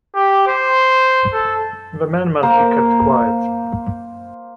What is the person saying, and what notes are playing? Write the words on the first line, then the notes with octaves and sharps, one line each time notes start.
The man must be kept quiet.
G4
C5
A4
A#3 C5